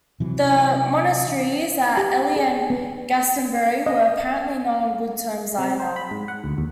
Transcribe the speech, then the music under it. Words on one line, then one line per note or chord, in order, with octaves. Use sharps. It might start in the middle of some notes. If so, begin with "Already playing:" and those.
The monasteries at Ely and Glastonbury were apparently not on good terms either.
C3 E3 F#3
G4
G#4
B3
D#5
C3
C5
B5
G#2
F#5
D2
D#2